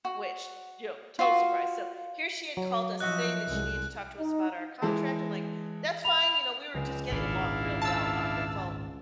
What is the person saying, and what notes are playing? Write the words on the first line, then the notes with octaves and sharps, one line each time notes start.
Which, you know, total surprise, so, here she had called us saying that she needed to talk to us about our contract, I'm, like, "That's fine," you know, we were just getting along real well on the phone
F#4
F4 F#4
F#3
F3 D#4 F#4 E5 F#6
C2 G#3
D#4
E3 G#3 A5
B5 F7
C#2 C4
G#1 A#2 D4 E4 F5 F6
A5 E6